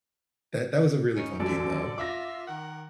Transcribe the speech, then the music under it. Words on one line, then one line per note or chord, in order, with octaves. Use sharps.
that that was a really fun game, though.
C#4 D#4
A1 F#2 D3 A4 D5
F4 E5 D6 A#6
D#3 A#4 F#5